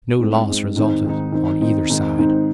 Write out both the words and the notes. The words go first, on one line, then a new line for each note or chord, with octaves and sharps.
No loss resulted on either side.
G#2 G#3 C4
G#2 G#3 C4
G#2 D#3 C4 D#4
G#2 D#3 C4 D#4
D#3 C4 D#4
D#3 C4 D#4
G#2 D#3 C4 D#4
G#2 D#3 C4 D#4